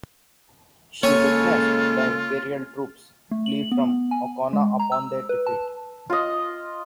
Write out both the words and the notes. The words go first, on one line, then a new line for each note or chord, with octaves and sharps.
She witnessed the imperial troops flee from Aucona upon their defeat.
C#3 G#3 A#3 F4 A4 C#5 G#5
A3
F#7
B3
G#5
G#3
A#5
E6
B4
A5
F4 D#5